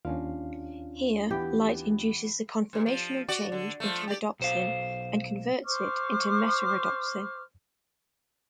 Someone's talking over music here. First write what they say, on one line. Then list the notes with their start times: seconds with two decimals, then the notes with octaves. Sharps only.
Here, light induces the conformational change into Rhodopsin and converts it into meta-rhodopsin.
0.05 D#2 C#4 D4 F4 F5
1.31 E3 B3 G4
2.73 G2 A#2
2.86 F3
3.29 F#4 D5
3.52 D3
3.80 F3 A3
4.08 G4 D5
4.40 B1 C5 F5
5.65 C5 C#6 D6 F6